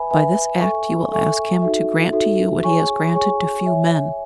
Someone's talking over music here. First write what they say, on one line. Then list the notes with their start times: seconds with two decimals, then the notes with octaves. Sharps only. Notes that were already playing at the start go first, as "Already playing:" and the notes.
By this act, you will ask him to grant to you what he has granted to few men.
Already playing: B4 E5 G#5 B5
0.11 B4 E5 G#5 B5
0.61 A4 E5 G#5 C#6
1.11 A4 E5 G#5 C#6
1.62 D#4 F#4 A4 E5
2.12 D#4 F#4 A4 E5
2.63 G#4 C#5 G#5 C#6
3.14 G#4 C#5 G#5 C#6
3.64 C#5 E5 G#5